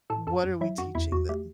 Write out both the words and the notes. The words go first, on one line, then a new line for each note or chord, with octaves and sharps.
"What are we teaching them?"
A2 A4 A5
F#2 A4 A5
F#2
F#3 E4 E5
F#2 F#4 F#5
E2 E4 E5
E2 F#4
A3 G4